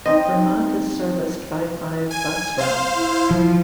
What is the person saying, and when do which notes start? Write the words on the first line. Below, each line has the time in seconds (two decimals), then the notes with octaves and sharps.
Vermont is serviced by five bus routes.
0.06 C4 D#4 D#5
2.11 G#5
2.58 C5 F5
2.95 E4
3.31 F3